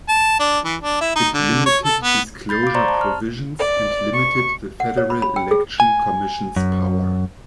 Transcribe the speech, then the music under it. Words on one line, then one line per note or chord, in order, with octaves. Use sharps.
It limited disclosure provisions and limited the Federal Election Commission's power.
A5
D4
E3
D4
E4
D#4
D3
C#5
A4
B3
B5 G6 A6 C7
F5 D6
C5 D5 A#5 C6 C#6
A5
F6
D5
C#6
F#5
C#5
B5
B5
G5
G#4
G#5
F#2